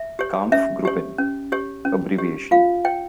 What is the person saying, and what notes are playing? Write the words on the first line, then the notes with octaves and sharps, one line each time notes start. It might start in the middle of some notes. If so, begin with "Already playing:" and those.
"Kampfgruppen"; abbrev.
Already playing: E5
G4 C#5
C#4 E5
G4 C#5
C#4
G4 C#5
C#4
G4 C#5
F4 F5
C#5 G5